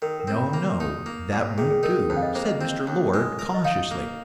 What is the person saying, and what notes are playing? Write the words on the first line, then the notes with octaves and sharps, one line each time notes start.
"No, no, that won't do," said Mr. Lord, cautiously.
D#3 A#4
A#4
C4
F4
A#3
D#4
A#3
A#2
D#3 G#4
G#4
D#4 A#4
A#4
F2 C5
F5
D#5
A#3 C5
D#5
C4
D#2
G#3
A#4
D#5
D#4 F5
A#3